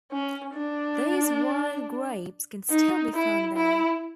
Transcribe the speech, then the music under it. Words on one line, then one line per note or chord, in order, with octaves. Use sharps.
These wild grapes can still be found there.
C#4
D4
D#4
E4
E4